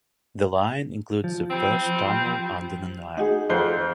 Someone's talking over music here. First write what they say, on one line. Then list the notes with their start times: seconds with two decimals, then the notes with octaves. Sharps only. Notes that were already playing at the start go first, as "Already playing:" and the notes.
The line includes the first tunnel under the Nile.
1.24 F3
1.50 G3 C4
3.17 D#4 F#4 G#4
3.50 F2 F4 C5